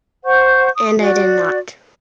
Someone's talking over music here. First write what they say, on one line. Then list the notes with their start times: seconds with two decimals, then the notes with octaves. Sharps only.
And I did not.
0.25 C5 F#5 C#6 G6
0.73 D#6
0.97 F#4 D5